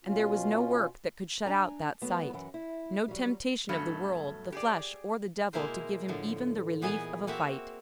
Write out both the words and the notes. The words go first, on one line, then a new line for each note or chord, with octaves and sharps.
And there was no work that could shut out that sight--no temptation of the world, the flesh, or the devil to give him even the relief of a fight.
B2 C#4 F4
D4 G#5 A#5
F#3 A3 B3
F#2 E3 F#5
E4
F#3 G3
G2 B2 F#3 A3 C#4
G4 G#4 D5
B2 G#3 A#3 E4 A#4 C5
A2 D3 F3
A#2 E3 B3 G#4 D#5 G#5
A#3 C4 F#4 A#4 E5